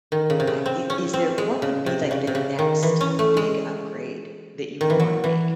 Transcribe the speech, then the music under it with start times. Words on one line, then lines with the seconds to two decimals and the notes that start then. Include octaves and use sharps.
uh, i is there What would be, like, the next big upgrade that you would wanna make?
0.12 D#3
0.30 C#3
0.40 C3
0.47 C#3
0.66 C4
0.90 C#4
1.14 C4
1.38 G#3
1.62 C#3
1.86 C3
2.11 C#3
2.27 C3
2.35 C#3
2.59 D#3
2.83 E3
3.01 C#4
3.19 A3
3.37 G#3
4.81 D#3
4.90 E3
5.00 F#3
5.24 E3